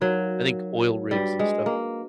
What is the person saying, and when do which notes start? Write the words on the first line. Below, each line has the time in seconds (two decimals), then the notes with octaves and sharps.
I think oil rigs and stuff,
0.01 F#3 D#4 F#4 A#4 C#5 F5
1.11 G3 D4 F#4 B4
1.39 G#3
1.66 A#3